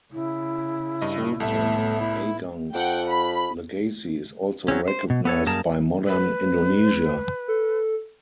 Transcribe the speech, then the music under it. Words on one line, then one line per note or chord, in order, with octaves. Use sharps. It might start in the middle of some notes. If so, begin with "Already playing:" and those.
Sultan Agung's legacy is also recognised by modern Indonesia.
C#3 E4
G2 D#5
C2 A2 A3 B3 E5
E4
F2 F#5 G5
B5
F#3 C4 C#4
C5
B2
B3 A4 C#5
F#2 G3 A#3 G#4 A#4 A5
B4
A4